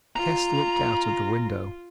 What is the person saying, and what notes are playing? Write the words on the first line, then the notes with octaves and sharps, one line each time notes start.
Tess looked out of the window.
F4 A#5